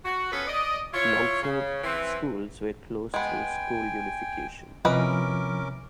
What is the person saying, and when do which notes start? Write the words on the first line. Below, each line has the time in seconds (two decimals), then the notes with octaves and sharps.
Longford schools were closed through school unification.
0.05 F#4
0.32 B3 C#4 F4 A4 B4
0.47 D5 D#5
0.94 E4 F4 C#5
1.42 C#3
1.84 E3 C4
3.14 G#3 B3 G5 G#5
4.85 C3 E3 F3 C#4 A#4 B4 D#5 D6